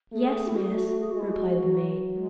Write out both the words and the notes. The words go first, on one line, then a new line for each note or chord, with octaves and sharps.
"Yes, miss," replied the maid.
A3 G#4 A4
E4
F#4
A3 G#4
F#4
F#4
G#4
G#3 F#4
E4
G#4
F#4
F#3
G#3